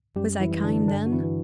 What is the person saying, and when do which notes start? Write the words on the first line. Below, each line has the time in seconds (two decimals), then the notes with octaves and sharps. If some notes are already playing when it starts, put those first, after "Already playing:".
Was I kind then?
0.16 F#2 G3 G4
0.40 E3 E4
0.52 E3
0.64 D3 D4
0.88 G2 D3 D4
1.06 F#4
1.12 E3 E4
1.24 E3